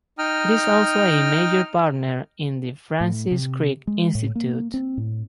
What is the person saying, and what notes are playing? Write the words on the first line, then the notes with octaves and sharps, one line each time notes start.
It is also a major partner in the Francis Crick Institute.
D#4 G5 A#5 D#6 F6
A2
C3
G#3
A2
A#3
C4
A2